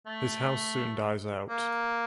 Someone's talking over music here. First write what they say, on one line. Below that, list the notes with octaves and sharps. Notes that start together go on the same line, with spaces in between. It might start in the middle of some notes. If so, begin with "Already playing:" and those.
His house soon dies out.
A3
A#3